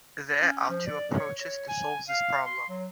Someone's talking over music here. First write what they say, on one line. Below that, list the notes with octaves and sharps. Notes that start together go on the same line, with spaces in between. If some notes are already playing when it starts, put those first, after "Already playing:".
There are two approaches to solve this problem.
C#4
F3
D5
C#5
C#5
G#5
F5
C6
F#3